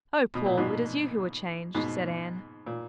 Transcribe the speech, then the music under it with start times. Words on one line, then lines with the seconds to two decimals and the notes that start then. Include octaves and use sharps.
"Oh, Paul, it is you who are changed," said Anne.
0.35 B2
0.46 A#2
0.57 G#2 B2
1.75 G#2 B2
2.66 A#2